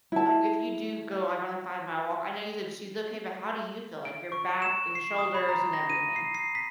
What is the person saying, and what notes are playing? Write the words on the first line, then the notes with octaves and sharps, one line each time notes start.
a like, if you do go, like, on a five-mile walk I know you said she's okay, but how do you feel? Like, your back, and shoulders, and everything.
E4 A5
D7
C#6
E7
C7
D#6
B5
A#5
A#6
D#7
C7
C7
B6